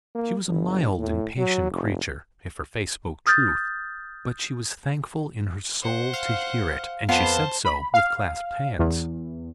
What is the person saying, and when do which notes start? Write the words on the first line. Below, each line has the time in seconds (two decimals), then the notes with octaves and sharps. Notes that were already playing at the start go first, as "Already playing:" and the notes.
She was a mild and patient creature if her face spoke truth; but she was thankful in her soul to hear it, and she said so, with clasped hands.
0.15 A#3
0.47 G1
0.99 A2
1.38 F#3
1.71 F1
3.27 D#6 F6 G6 A6
5.82 C5 F#5
6.13 F5
7.09 F2 B3 C5 F5 A5
7.65 B5
7.94 F5
8.79 E2